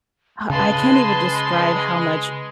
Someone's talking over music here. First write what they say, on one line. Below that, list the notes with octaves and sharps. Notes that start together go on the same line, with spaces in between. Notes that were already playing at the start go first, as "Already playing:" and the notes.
I I can't even describe how much
C#3 G#3 B4 A5 C6